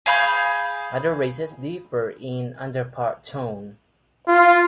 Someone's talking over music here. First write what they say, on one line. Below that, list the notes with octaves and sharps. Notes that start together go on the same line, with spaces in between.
Other races differ in underpart tone.
G#4 F5 B5 G6
F4